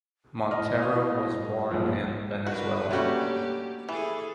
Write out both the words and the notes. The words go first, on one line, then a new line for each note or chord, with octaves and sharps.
Montero was born in Venezuela.
E4 D#5 F6
C5 F5 D#6
E4
G3
A#1 G2 F3 C#5
D4 F#4 A#4 B4
F#3 G3 A3 A#3 C#4 F#4 G4
E3 G#4 A4